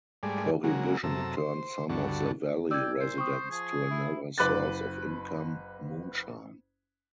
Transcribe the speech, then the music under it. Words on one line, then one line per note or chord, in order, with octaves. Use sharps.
Prohibition turned some of the valley residents to another source of income - moonshine.
G#2 G3 A3 G#4 D5
C#3 F#3 G#3 A#3 F#4
F#2 C3 A4 A#5 E6
C5
D2 G2 D3 F#4 A4 C#6
D5 G5 E6 G#6
A#2 C5
C4 C#6 D#6
F3 G#4
E4
F#1 B4 D6 F#6 A6